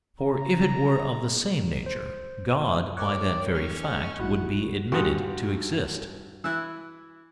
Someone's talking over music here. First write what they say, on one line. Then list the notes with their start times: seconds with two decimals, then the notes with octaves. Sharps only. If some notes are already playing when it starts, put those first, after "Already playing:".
For if it were of the same nature, God, by that very fact, would be admitted to exist.
0.21 C#3 A#5
1.86 C5
2.97 G4 A#4 C#5 D5 F#6
3.54 C#4
3.83 G#4 D#5
4.19 A1 G#2 E4 F#4 F#5
4.92 G#1 G2 G3 F#4 F#5 C6 D#6
6.44 E3 E4 E6 F#6 G#6